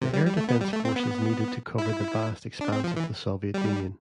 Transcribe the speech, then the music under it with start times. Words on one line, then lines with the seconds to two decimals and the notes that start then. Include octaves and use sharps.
The Air Defense Forces needed to cover the vast expanse of the Soviet Union.
0.02 C3
0.13 G3
0.26 G3
0.37 A3
0.48 B3
0.61 G3
0.72 A3
0.85 C4
0.96 B3
1.78 E4
2.61 D4
2.73 C4
2.84 F3
2.96 E3
3.54 G3